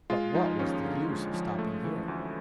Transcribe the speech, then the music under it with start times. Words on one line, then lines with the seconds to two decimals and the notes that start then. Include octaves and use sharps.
But what was the use of stopping here?
0.10 G#3 F4
0.34 F3 D#4
0.59 D#2 C#4
0.85 D3
1.10 G#3
1.34 F3
1.58 A3
1.84 E3
2.08 D2